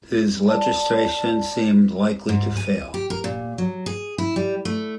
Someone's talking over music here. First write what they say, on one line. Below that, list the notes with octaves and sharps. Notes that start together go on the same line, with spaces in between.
His legislation seemed likely to fail.
D5 A5
G#2
G#5
G4
A#4
A#2
F#3
G#4
E4
G3
A3